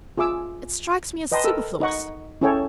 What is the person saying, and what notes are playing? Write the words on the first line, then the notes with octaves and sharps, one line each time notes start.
It strikes me as superfluous.
F4 G#4 E5 D6 E6
B4 D#5 G5 A5 A#5 C6
A4 A#4 E6
D#4 D#5 F#5 C#6
C#4 E4 G#4 A4 C#5 G5